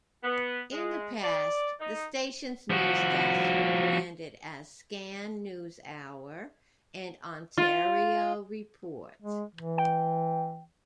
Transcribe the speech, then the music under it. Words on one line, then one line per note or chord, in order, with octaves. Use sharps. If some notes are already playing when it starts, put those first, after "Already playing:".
In the past, the station's newscasts were branded as "Scan NewsHour" and "Ontario Report".
B3
G#3
D5
D#4
F3 F#4
F4
G#3
E3
G5